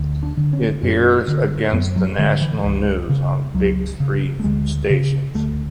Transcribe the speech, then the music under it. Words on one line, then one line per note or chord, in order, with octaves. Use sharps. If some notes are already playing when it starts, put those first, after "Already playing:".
It airs against the national news on the big three stations.
Already playing: D2
D4
D3
C#4
F#2 C#4
D3
F#2 B3
F#3
D3 G#3
E3
C#2
C#3
C#2 F#3
C#3
A3
D2 G#3
C#3
D2 A3